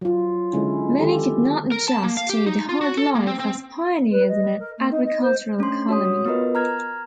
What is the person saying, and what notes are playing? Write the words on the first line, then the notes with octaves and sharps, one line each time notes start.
Many could not adjust to the hard life as pioneers in an agricultural colony.
F#3 F4
D3 G#3 C#4 E4
D#3 G4 A4
A#4
A5
A#3
F5
G4
D#4
F4
F#4
A4
A#3
C4
C4
B4
D#5
A#4
A#3
D#4
D#5
C5
A3 C#4 D4 C6
F#4 C#5 D#6
F#4
B3 F4 A#4 B4 D#5
A#5 F6 G#6